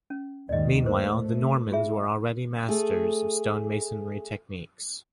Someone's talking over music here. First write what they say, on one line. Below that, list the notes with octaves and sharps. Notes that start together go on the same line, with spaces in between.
Meanwhile, the Normans were already masters of stonemasonry techniques.
C#4
D#2 G#2 D#3 D5 D#5
A3 A#4 C5
F4 G#4 E5
A3 G#4